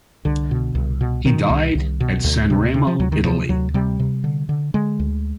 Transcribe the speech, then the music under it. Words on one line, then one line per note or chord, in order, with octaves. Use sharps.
He died at Sanremo, Italy.
C2 D3
B2
C2
B2
B2 D#3
C2
C2
B2
D2
C3
C3
F3
D2 F#3
D#3
C3 F3
D2 F#3
C3 G3
C3
D3
D3
D3 G#3
D2